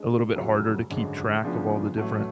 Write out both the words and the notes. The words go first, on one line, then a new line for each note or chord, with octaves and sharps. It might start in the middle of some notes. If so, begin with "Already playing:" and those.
a little bit harder to keep track of all the different
Already playing: G#3 D4
F1 F2 C#3 F#3
G#1 F#2 D3 G#3
D2 C#3 F3 B3 D4
A1 A2 F#3 A3